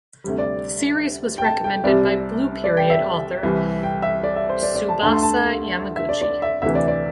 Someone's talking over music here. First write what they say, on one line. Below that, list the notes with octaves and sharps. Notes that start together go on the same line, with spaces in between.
The series was recommended by "Blue Period" author Tsubasa Yamaguchi.
D2 C3 G3
D5
G5
A5
G5
C2 C3 G3 D5
D5
G5
E5
C2 C3 E3 G3
G5
E5
D5
E5
C5
D5
D5
A5
D2 D3 A3 A5
C6
A5
E5
D5
D5
E5
D2 C3 E3 E5
D5
D5